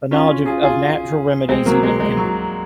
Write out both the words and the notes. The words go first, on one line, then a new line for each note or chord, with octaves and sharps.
The knowledge of of natural remedies even can
C#4 F4
C#4 F4
F4 G#4
F4 G#4
G#3 C4
F#3 A#3
G#3
G#3
F#3